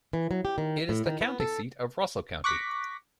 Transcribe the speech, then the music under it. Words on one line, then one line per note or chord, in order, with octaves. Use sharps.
It is the county seat of Russell County.
E3
F#3
G4
D#3
A2
D#3
B3
A4
C#6 D6 F#6 A#6 B6